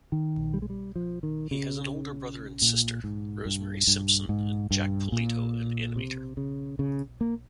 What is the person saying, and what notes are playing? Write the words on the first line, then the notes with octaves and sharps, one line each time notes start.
He has an older brother and sister, Rosemary Simpson and Jack Polito, an animator.
D#3
G3
G#3
G3
F3
D#3
C#3
A#2
G#2
G2
G2
G#2
G2
A#2
C3
C#3
C#3
A#3